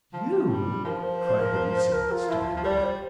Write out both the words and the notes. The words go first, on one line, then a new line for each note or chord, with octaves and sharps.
"You!" cried Bellissima, starting back.
F3
G3
F3 A#4
C5
C5
A#4
C5
C5
A#4
F4
F3 E4
F4
F3
G3 D5
C5